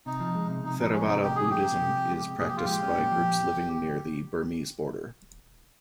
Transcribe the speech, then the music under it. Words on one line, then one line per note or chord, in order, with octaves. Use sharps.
Theravada Buddhism is practiced by groups living near the Burmese border.
C3 D#4
F3
G#3
C3
C3 D#4
F3 D#4
G#3 C#4
C3 D#4
C3 G4
F3 G#4
G#3 G4
C3
C3
F3
G#3
C3
A#2 G#4
G4
F3 F4
G#3 G4
C#4
A#2
F3